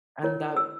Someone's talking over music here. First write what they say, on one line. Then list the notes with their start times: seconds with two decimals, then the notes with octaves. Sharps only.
And that
0.23 E4 A#4 C#5
0.57 E6